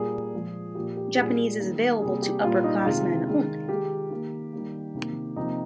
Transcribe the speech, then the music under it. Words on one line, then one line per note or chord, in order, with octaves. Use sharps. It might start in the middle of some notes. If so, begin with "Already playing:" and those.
Japanese is available to upperclassmen only.
Already playing: A#2 G3 A#3 G#4
A#2 F3 G#3
A#2 F3 A#3 G4
G4
A#2 G3 A#3 G#4
D#3 G3 A#3
C3 G3 A#3 G#4
G4
A#2 G3 A#3 F4
D#4
C3 D#3 G#3 F4
D#3 G#3
D#3 G#3 G4
D#3 A#3
D#3 G3 A#3
C3 D#3 A#3
C3 F3 A#3 D#4